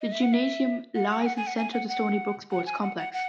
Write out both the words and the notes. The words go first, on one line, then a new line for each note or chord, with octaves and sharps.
The Gymnasium lies at the center of the Stony Brook Sports Complex.
D#5
E5
F#5
E5
F#5
F#5
G#5
F#5
G#5
F#5
G#5
F#5
F#5
F#5
G#5
F#5
F#5
F#5